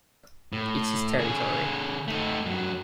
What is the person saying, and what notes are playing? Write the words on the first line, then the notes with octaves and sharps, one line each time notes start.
It's his territory.
A2
D3 G#4
A3 D#4
G2 F#3